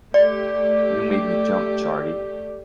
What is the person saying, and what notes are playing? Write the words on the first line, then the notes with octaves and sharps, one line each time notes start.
You made me jump, Charley.
A3 G4 D5